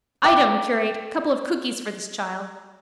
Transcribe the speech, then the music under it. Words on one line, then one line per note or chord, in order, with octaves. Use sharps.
Item, curate, couple of cookies for this child.
G5 D6